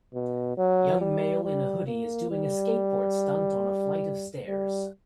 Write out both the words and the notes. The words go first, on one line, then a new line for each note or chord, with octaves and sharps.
Young male in a hoodie is doing a skateboard stunt on a flight of stairs.
B2
F#3
G3
G3
A#3
G3
G3